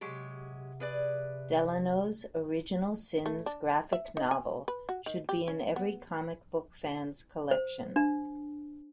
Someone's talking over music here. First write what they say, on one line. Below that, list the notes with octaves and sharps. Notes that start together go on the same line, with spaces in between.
Delano's "Original Sins" graphic novel should be in every comic book fan's collection.
C3 F#3 G#3 G4
G#4 B4 D5
A3
D4
E5
D#4
G#5
B4
F#4
D#3
G4
C#4
B3
C5
D4